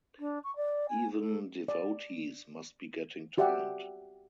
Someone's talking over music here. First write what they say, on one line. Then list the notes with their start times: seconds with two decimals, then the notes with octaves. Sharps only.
Even devotees must be getting tired.
0.19 D4
0.44 C#6
0.56 D5
0.89 G#5
1.18 A4
1.68 D5
3.38 F#4 G4 D5 E5 F#5